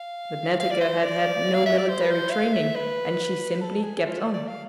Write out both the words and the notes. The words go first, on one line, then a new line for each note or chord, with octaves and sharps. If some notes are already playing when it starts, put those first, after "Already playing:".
But Netteke had had no military training, and she simply kept on.
Already playing: F5
F5
D5
C5
D5
F5
E5
D5
C5
B4
C5
F5
E5
B4
A4
G#4
G#4
F4
D5
D5
F5